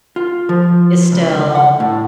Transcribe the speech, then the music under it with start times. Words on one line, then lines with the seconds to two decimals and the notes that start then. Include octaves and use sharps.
is still
0.16 F4
0.49 F3
1.12 C#2
1.55 F#5
1.80 A2